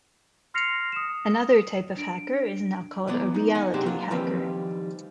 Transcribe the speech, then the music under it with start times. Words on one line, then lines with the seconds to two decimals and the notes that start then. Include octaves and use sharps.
Another type of hacker is now called a reality hacker.
0.54 C6 F6 A#6 C7 C#7 F7
0.92 D#6 E7
1.97 D4 D7
3.07 E3 F#3 B3 D5
3.34 D#4
3.55 D#5 F#5 G#5
3.74 C3 F#3 G#3 C4 D4 G4
3.86 F#3 A#3 F4
4.11 D#3 F3 G3 A#3 C4 B4